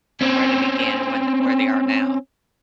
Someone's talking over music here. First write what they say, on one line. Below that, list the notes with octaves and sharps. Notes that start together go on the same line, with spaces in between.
from where they began and when where they are now.
C4 C#4